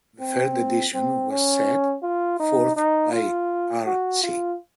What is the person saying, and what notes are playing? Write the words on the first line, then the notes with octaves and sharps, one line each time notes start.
The third edition was Set forth by R.c.
C4
C4
C#4
F4
D#4
D#4
F4
F#4
F4